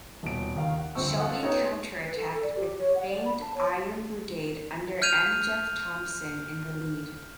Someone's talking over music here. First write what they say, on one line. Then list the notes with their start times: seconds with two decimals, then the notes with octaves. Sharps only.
Shelby counterattacked with the famed Iron Brigade under M. Jeff Thompson in the lead.
0.23 D#1 B2 D7
0.55 D#2 D#3 F5
0.79 F#5
0.95 G1 D2 F3 C4 C#6 E6
1.19 F4 A4 F#5
1.42 B3 D#4 G4 C#5 D#5
2.03 B4
2.16 A4
2.30 A4
2.43 D5
2.56 G4
2.78 C#5
2.95 F#5
3.09 D5
3.25 B5
3.41 A5
3.54 C#5
5.02 F6 G6 G#6 D#7 F7